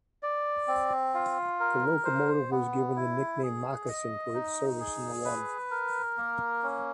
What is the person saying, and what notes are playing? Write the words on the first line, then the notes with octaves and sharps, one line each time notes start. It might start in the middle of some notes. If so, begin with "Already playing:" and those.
The locomotive was given the nickname "Moccasin" for its service in the water.
D5
C4
F4
A#4
C5
B3
E4
G#4
D#5
D#4
G#4
B4
A#4
A#3
C#4